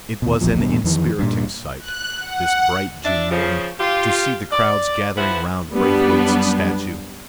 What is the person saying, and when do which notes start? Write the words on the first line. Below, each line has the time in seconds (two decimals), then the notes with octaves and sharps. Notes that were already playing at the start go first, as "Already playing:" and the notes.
It was an inspiriting sight, this bright June morning, to see the crowds gathering round Braithwaite's statue.
0.22 D#2 B2
0.41 D#1 A#1 E2 F3
0.58 E2 G2 B2
0.84 F2 D#3 E3
1.19 G2 A#2
1.80 F#6
2.20 F#5
3.05 D4 E5
3.31 C#3 F3
3.80 F4 G4
4.52 D5
5.18 E3 F3 E4 B4 C5 F#5
5.73 F#2 G3 B3 D4